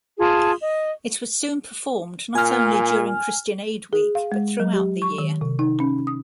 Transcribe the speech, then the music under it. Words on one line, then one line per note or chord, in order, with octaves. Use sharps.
It was soon performed not only during Christian Aid Week but throughout the year.
F4 G#4 A5
D#5
A#2 G#5 F6
G#4
F5
G#3
F#3
G4
C#6
D#3
C3
D#4
C#4
D#6